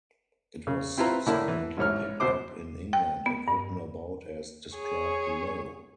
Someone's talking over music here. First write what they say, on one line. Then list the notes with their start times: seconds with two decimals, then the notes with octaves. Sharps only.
It was subsequently picked up in England and written about as described below.
0.67 C#3
0.97 C4 E4 F4 B4 A#5
1.26 A2 D3 A#3 E4
1.48 E3
1.77 A1 G#2 C#5 F6
2.20 D2 B2 C5 D6
2.93 G5
3.26 B3
3.48 G2
4.76 G#4 C#5